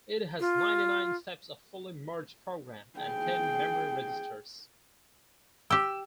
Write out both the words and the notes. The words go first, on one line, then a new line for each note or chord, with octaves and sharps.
It has ninety-nine steps of fully merged program and ten memory registers.
F4
G#4 G5
G4 G5 E6